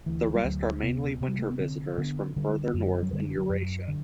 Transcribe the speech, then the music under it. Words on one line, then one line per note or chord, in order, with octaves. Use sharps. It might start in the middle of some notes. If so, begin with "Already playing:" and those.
The rest are mainly winter visitors from further north in Eurasia.
D2 E3
G3
D2 F#3
C3 B3
C3
G3
A3
B3
D3 C4
D3 B3
D3 G3
F#2
F#3
D3 G3
F#3
F#2
F#3
D3